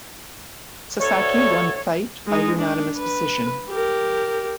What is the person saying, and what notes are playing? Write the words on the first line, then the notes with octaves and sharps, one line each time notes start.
Sasaki won the fight by unanimous decision.
D2 A4 C#5
G#3 D#4
D4
B4
G4 A#4